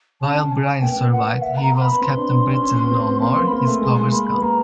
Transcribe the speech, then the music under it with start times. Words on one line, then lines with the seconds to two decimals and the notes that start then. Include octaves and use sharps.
While Brian survived, he was Captain Britain no more, his powers gone.
0.22 C#4 A5
0.52 G#5
0.82 A#3 G5
0.88 B3
0.96 A#3
1.12 F#5
1.42 E5
1.57 B5
1.62 A#5
1.76 C6
1.81 B5
1.92 B3
2.02 C4 C6
2.17 D4
2.46 C#4
2.63 C#4
2.84 B3
2.92 C4
3.14 B3
3.22 A#3 C6
3.38 A#3
3.47 B5
3.52 A#3 C6
3.67 A3
3.82 G#3 C6
4.12 A#3 B5
4.35 B3
4.42 A#3 A#5